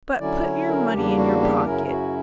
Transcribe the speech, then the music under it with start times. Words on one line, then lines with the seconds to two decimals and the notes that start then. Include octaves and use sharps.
But put your money in your pocket.
0.19 D3 F#3 C#4 E4 D5
0.44 C#5
0.69 A#4
0.92 E2 C#3 G3 A#3 D4 G4
1.17 F#4
1.41 G4
1.58 G4
1.65 F#2 C#3 F#3 C#4 E4 A#4
1.89 F#4